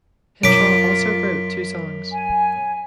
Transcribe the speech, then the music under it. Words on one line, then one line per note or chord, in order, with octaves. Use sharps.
Henshaw also wrote two songs.
F#2 F4 D6 B6 D7
G#5